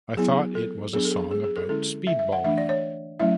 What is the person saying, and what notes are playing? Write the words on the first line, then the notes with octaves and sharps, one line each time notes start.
I thought it was a song about speedballing.
F#3 B3 E4 G#4
A4
F#3 B3 D4 G#4
A4
G#4
G#4
G#4
A4
D3 G#3 C#4 E4 A4
E5
E5
F#5
E3 A3 D4 E5
D5
C#5
F#3 A3 C#4 E4 E5